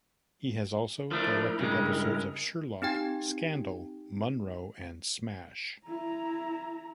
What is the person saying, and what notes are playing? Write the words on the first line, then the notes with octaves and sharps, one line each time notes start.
He has also directed episodes of "Sherlock", "Scandal", "Monroe" and "Smash".
F3 A3 D4 E4 A#4
G2 C#3 G#3
C4 D#4 G4 G5 G#6
E4 A#5